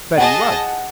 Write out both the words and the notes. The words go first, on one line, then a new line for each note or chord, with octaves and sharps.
Very well!
G#4 D#5 F#5 A5